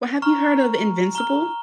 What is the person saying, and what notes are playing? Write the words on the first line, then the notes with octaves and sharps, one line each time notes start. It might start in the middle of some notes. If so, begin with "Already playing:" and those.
Well, have you heard of Invincible?
A#5 C#6 F6
A#5 F6 G7